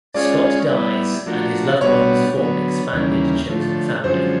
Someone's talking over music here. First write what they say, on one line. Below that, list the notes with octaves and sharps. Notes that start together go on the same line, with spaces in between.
Scott dies and his loved ones form an expanded chosen family.
G#3 C#4 F4 G#4 C#5 D5
G3 B3 E4
F3 A3 D4 F#4 A#4
B2 G3 B3 D4 F#4 C#5
D3 F#3 B3
D#2 C#3 E3 G3 A#3
D3 F3 A3
F#2 D3 F3 G#3 C#4 C5